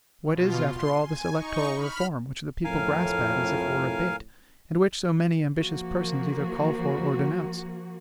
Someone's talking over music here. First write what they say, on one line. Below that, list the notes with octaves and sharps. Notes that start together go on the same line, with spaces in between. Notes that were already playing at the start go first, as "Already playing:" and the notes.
What is, after all, this electoral reform which the people grasp at, as if it were a bait, and which so many ambitious persons either call for or denounce?
B2 F4
C6
G#5
D#4 C#6
B5 F6
F2 A2 A#4 F5 G#5
F3 A#3 F#4